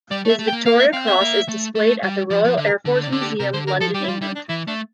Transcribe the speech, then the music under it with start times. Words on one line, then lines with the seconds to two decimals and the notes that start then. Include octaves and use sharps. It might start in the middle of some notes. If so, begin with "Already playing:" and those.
His Victoria Cross is displayed at the Royal Air Force Museum London, England.
0.11 G3 D5
0.25 A3
0.30 E5
0.39 A3
0.48 G5
0.53 A#3
0.66 A#3 F5
0.80 E5
0.93 C4 F5
1.07 E5
1.21 A#3
1.48 A3
1.75 A3
2.03 G3
2.30 F3 D5
2.44 F3
2.57 D3
2.67 A#4
2.85 D3
3.03 D5
3.07 C3
3.12 D3
3.21 G4
3.40 C3 A#4
3.53 D3 C5
3.67 D3 A#4
3.81 F3 A4
3.94 G3 G4
4.04 E4
4.08 G3 F4
4.21 G3 E4
4.36 D4
4.49 E3 E4
4.67 A3 D4